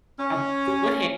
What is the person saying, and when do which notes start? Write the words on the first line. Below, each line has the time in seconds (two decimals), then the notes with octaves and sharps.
a good
0.19 C#4